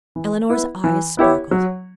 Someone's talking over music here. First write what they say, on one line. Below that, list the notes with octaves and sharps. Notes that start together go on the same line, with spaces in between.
Eleanor's eyes sparkled.
E3
B3 E4 B4
E3
B3 E4 G4 C#5
F#3